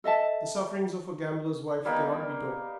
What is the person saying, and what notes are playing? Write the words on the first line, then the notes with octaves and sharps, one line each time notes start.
The sufferings of a gambler's wife cannot be told.
A4 D#5 E5 A5
G3 A#3 B3 D#4